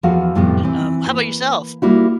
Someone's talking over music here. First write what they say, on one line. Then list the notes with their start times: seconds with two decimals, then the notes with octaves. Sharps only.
um, how about yourself?
0.03 E2 F3 F#4 A4 F5 F#5
0.35 F2 A2 C3 G3 B3
0.63 E3 C4
1.06 A#3 B4
1.82 G3 A#3 E4 F#4